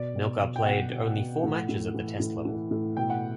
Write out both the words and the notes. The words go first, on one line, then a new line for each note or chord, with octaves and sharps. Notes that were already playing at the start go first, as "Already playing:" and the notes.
Milkha played only four matches at the Test level.
Already playing: B2 D5
B2
B2
G5
B2 F#5
B2
B2
A2
A2
E3
A2
E3
A2
B2 G5
F#5